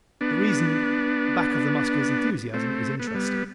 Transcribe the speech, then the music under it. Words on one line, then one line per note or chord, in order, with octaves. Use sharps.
The reason back of the Muscular's enthusiasm is interesting.
B3 D4
A3 C4
B3
A3
G3 B3